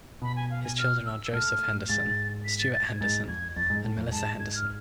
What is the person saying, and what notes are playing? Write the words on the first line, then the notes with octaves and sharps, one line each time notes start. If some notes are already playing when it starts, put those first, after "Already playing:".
His children are Joseph Henderson, Stuart Henderson and Melissa Henderson.
B2 B5
G#5
F5
G#5
F6
E6
A2 F6
G#2 A6
B6
A6
A6
G#6
G#2 A6
F2 G#6
F2 A6
G#2
A2
F2
G#2 A5
G#6
F6